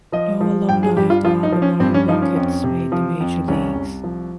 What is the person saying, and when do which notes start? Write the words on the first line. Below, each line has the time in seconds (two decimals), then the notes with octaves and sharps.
No alumni of the Albemarle Rockets made the major leagues.
0.12 F3 D#5
0.41 F3
0.69 G2 G5
0.83 G#4
0.97 G2 G4
1.10 F4
1.24 F3 F4
1.43 D#4
1.52 F3
1.62 C#4
1.80 G2 C4
1.94 C#4
2.08 F3 D#4
2.22 C#4
2.36 F2
2.64 C3
2.92 F3
3.20 F2
3.48 C2 C#4
3.75 C2
4.04 F3